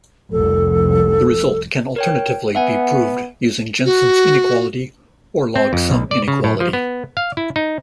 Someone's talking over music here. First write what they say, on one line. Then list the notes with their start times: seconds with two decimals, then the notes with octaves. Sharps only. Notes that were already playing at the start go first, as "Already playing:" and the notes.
The result can alternatively be proved using Jensen's inequality or log sum inequality.
0.32 F1 C2 A4
1.96 A#4 C#5 G5
2.55 B3 E5 F#5 G#5
3.85 F#4
5.56 C4
5.73 F2
5.91 B1
6.11 D5
6.28 C#3
6.44 A2
6.60 F3
6.73 B3
7.17 F5
7.37 E4
7.56 D#4